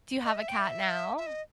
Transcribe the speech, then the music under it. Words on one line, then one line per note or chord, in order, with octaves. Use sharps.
do you have a cat now?
D#5
E5
G5
E5
E5
D#5